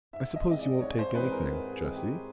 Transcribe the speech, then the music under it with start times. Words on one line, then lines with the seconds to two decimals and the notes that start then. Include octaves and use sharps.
"I suppose you won't take anything,--Jessie?"
0.13 G#2 E5
0.36 D#5
0.48 E3 G#3 C4 D#5
0.59 D5
0.81 G#2 C#5
0.99 C5
1.15 E3 G#3 C4 B4
1.32 A#4
1.50 G#2
1.72 G#4
1.84 E3 G#3 C4
1.96 G4